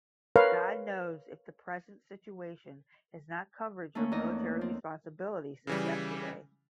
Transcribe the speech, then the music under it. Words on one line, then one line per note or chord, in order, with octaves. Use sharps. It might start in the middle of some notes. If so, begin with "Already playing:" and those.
God knows if the present situation has not covered your military responsibility since yesterday.
A#4 B4 C#5 F5
A3 A#3 C#4
E2 D#4 D#5
C4
C#3 E3 G3